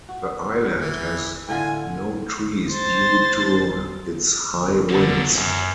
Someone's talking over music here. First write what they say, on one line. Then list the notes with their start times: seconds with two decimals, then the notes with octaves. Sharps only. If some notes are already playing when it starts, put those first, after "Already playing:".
The island has no trees due to its high winds.
0.09 F#4
0.78 E3
1.49 A2 D3 F4 G#5
2.71 C5 A6
4.89 D#2 D3 F#3
5.33 F#2